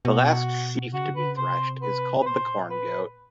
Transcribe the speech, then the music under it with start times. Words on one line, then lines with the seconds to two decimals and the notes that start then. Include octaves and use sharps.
The last sheaf to be threshed is called the Corn Goat.
0.05 B2 F#4
0.93 C#3 F#4
1.05 D3
1.11 C#3
1.16 D3 B4
1.27 C#3
1.38 C3 C5
1.82 B4
2.22 B4
2.26 A#2 C5
2.70 B4